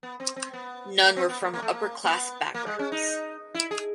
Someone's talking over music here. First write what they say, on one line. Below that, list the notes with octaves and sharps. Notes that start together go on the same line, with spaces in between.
None were from upper class backgrounds.
B3
C4
C4
B3
A#3
C4
B3
A#3
A#3
A3
A#3
B3
A#3
G#3
C#4
D#4
E4
G#4